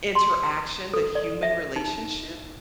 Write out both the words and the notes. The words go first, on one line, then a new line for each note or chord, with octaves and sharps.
interaction, the human relationship?"
C6
A4
D5
E5
D#4